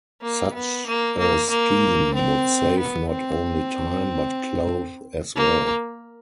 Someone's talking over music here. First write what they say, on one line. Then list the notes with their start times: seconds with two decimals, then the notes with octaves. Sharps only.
Such a scheme would save not only time but cloth as well.
0.22 A#3
0.54 B3
0.87 A#3
1.19 A#3
1.50 A#3
2.14 C4
2.79 B3
3.11 C4
5.36 A#3